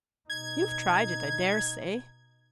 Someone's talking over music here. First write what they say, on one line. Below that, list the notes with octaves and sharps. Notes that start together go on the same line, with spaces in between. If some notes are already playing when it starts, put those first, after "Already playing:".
You've tried it, I dare say.'
B2 D#4 G#6